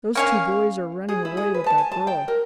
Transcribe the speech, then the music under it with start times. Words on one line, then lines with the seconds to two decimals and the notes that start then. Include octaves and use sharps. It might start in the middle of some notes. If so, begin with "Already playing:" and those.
"Those two boys are running away with that girl!"
0.15 A#3 C#4 F5
1.09 G#4
1.25 E4
1.37 G#4
1.54 B4
1.66 A5
1.78 G#5
1.92 A5
2.07 G5
2.28 A#4